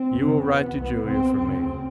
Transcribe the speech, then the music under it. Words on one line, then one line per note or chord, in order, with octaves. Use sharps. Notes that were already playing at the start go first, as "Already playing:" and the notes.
You will write to Julia for me.
Already playing: C4
E2 C#3
E2 B2 B3
C2 A#2
C#2 C3 C4
D2 C#3 C4